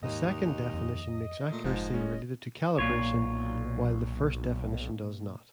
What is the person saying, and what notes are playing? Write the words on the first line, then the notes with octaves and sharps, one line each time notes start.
The second definition makes accuracy related to calibration, while the first definition does not.
D#2 G#2 D#5
F2
A#2 A3
F1 G#2 F3
G#3 C#4 C#5
B1 A#2 F4 C#5